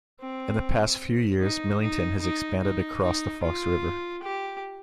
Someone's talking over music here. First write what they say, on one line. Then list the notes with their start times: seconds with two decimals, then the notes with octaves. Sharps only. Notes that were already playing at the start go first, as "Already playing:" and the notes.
In the past few years, Millington has expanded across the Fox River.
0.21 C4
1.41 D#4
1.82 D#4
2.21 D#4
2.61 D#4
3.03 D#4
3.43 F4
4.23 G4